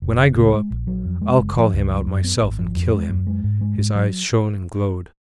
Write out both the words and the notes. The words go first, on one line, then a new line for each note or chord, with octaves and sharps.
When I grow up I'll call him out myself and kill him.' His eyes shone and glowed.
F1
C#3
C#2
G#3
A#1
F#3
F2
G#3
F#1
F3
C#2
F#3
F#2
B3
G#1
F3
F2
G#3
F#2
G#3
G#2
G#3
G#2
F#3